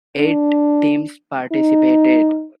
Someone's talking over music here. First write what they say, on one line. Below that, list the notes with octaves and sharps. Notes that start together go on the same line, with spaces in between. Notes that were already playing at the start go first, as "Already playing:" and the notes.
Eight teams participated.
D4
D#4